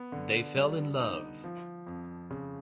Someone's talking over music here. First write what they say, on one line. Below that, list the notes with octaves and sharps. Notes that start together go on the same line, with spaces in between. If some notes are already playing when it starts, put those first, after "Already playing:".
They fell in love.
Already playing: B3
D3
G3
D#4
F3
F2
C#3